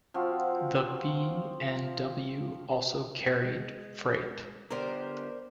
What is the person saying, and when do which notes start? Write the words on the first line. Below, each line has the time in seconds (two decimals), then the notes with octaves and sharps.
The B and W also carried freight.
0.14 F3 C4 F4 F#4
3.45 G#3
4.71 D3 B3 G4 A#4 C5 D5